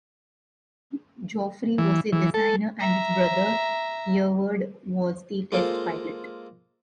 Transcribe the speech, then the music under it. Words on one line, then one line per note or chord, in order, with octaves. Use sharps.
Geoffrey was the designer and his brother Hereward was the test pilot.
E3
E3
A4
E5 A#5
G#3 A#3 F4 A4 C5